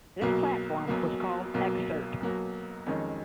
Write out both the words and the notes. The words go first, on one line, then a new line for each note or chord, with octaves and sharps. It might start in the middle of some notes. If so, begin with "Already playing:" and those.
This platform was called Excerpt.
B1 B2 F#3 A#3
B1 B2 F#3 A#3
B1 B2 F#3 A#3
B1 B2 F#3 A#3
F2 D#3 G#3 C#4